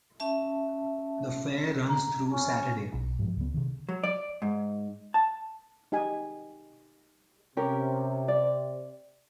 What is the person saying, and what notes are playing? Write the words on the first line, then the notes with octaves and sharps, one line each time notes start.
The fair runs through Saturday.
C#4 E5 A5
A#5
C#4
B1
G#2 F3 F#3
C#2 B3
C3 D#3
F#3
D5
G#2
A5
D#4 G4 D#5 G#5
C3 C#4 G4 A#4
D5